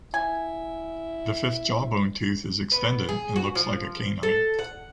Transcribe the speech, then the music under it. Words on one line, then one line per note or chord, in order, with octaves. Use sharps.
The fifth jawbone tooth is extended and looks like a canine.
E4 G#5
B3
G#4
F#4
F3
A4
F#5